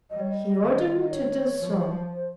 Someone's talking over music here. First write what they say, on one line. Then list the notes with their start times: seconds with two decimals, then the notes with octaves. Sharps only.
He ordered me to do so.
0.10 G3 D#5
0.20 C#5
0.30 D#5
0.60 D#3
1.01 D#5
1.11 C#5
1.60 F3
2.11 C5